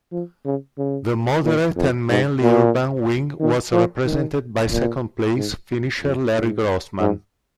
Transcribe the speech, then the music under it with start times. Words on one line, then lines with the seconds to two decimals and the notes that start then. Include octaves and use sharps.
The moderate and mainly urban wing was represented by second-place finisher Larry Grossman.
0.12 F3
0.45 C#3
0.78 C#3
1.43 A#2
1.76 F2
2.09 G#2
2.42 A#2
3.40 D#3
3.73 F3
4.05 D#3
4.71 A#2
5.36 G#2
6.02 F2
6.35 G#2
7.00 G#2